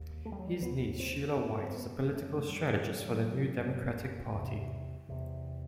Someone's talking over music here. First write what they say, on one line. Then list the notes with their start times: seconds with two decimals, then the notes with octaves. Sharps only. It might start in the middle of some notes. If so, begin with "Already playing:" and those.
His niece Sheila White is a political strategist for the New Democratic Party.
Already playing: D#2
0.25 A3
0.32 G3
0.39 F#3
0.48 G3
0.62 D#2 B3
1.00 C4
1.36 F#2 B3
1.64 C4
1.75 B3
2.11 F#2 A3
2.38 A3
2.49 G3
2.86 F#2 F#3
2.97 G3
3.08 F#3
3.60 F#2
4.35 E2 C3
5.09 E2 C3